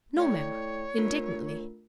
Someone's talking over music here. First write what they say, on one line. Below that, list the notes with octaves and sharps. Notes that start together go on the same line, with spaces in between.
"No, ma'm," indignantly.
A3 E4 A4 C#5 D5 G5
A3 D4 F4 A#4